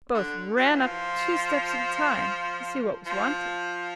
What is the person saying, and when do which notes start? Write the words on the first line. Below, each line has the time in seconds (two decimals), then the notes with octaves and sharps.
Both ran up two steps at a time, to see what was wanted.
0.15 D3
0.57 F#3
0.64 F3
0.71 E3
0.79 F3
3.06 F3